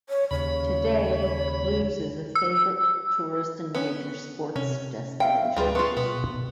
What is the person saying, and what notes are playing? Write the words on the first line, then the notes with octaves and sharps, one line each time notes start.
Today, Cluses is a favorite tourist and winter sports destination.
C#5
D#2 C#3 C#5 B5
E6
B3 C#4
C3 C#4
E5 F5 G5
D2 G3 F4 G#4 B4
B3 F4 B4 C6 C#6
B2 B3